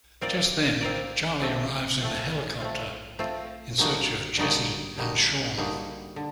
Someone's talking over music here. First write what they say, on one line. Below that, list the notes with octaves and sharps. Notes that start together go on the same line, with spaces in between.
Just then Charlie arrives in a helicopter in search of Jessie and Sean.
C4 F4 A#4 D5
C4 F4 A#4 D5
A3 C4 F4
A3 C4 F4
A3 C4 F4
A3 C4 F4
D3 G3 A#3 D#4 F#4
D3 G3 A#3 D#4 F#4
D3 G3 A#3 D#4 F#4
D3 G3 A#3 D#4 F#4
D3